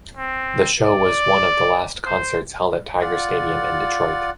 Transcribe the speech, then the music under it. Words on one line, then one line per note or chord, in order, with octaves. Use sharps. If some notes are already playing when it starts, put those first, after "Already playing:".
The show was one of the last concerts held at Tiger Stadium in Detroit.
C4
D5
C5
F4 D5 F#5